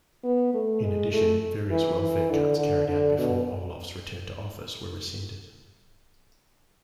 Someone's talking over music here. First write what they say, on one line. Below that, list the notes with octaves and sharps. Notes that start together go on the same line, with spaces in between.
In addition, various welfare cuts carried out before Olof's return to office were rescinded.
B3
A3
G#3
A3
E3
E3
D3
D3
D3
B2